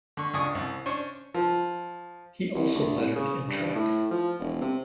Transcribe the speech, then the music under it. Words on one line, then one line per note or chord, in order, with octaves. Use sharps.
He also lettered in track.
D3 C#6
C#2 C#3 D4 G#5 C#6 D#6
C2
C#4 D4 C5 C#6
F3
C2
D2
C2
C#3
G2
A2
F3
E1
C3